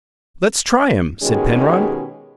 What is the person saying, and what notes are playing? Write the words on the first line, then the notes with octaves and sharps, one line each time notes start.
"Let's try him," said Penrod.
B2 D#3 G#3 C#4 G4 G#4